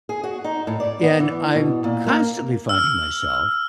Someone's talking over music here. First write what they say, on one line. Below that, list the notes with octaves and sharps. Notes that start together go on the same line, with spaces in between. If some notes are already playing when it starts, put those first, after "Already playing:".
And I'm constantly finding myself
G#4
F#4
D#4
A2
D5
B3
E3
B2
A#2
A#3
E6 F6